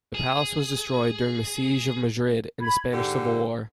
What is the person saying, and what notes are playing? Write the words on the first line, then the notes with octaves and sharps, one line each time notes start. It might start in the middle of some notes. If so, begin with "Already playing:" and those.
The Palace was destroyed during the Siege of Madrid in the Spanish Civil War.
G#4
B5 G#6
G#2 D3 G4